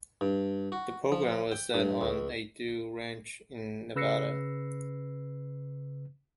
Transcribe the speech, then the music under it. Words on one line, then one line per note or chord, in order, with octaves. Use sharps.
The program was set on a dude ranch in Nevada.
G2
F#4
F3
G5
G2
C#2
C#3 B4 E6 A#6 C7 C#7